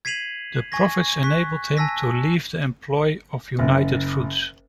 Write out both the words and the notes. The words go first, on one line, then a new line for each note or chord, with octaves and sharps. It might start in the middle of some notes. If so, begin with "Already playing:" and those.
The profits enabled him to leave the employ of United Fruits.
G#6 B6 C7 D#7 F7 F#7
G#5 C#6 G#6 A#6
C#6 F#6 B6
G#5 A5 E6 A#6 B6
F#1